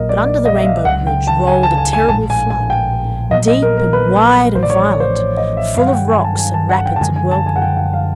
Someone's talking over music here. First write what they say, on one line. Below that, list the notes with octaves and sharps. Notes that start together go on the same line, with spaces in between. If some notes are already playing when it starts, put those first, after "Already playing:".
But under the Rainbow Bridge rolled a terrible flood, deep and wide and violent, full of rocks and rapids and whirlpools.
Already playing: A#1 A#2 F#3 A#3 A#4 D#5
D5
D5
D#5
E5
F5
C#2 C#3 F#3 F#5
G5
A5
G#5
A5
G#5
G#5
A#1 A2 E3 G#3 A5
G#5
G#5
G5
A#1 A#2 F#3 B3 D#5
D#5
A#4
A#4
B4
A1 A2 F3 C5
D5
C#5
C#5
C5
C#5
D#5
E5
G2 D#3 F#3 F5
F#5
G5
G#5
A5
G#5
A5
F#5
G5
A5
F#2 D3 F3 G#3 G#5
G#5
A5
G#5
F#5
G5
F#5
F5